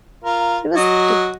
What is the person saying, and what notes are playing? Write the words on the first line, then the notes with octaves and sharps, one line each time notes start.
She was happy.
F4 A#4
F#3 F#4 D#5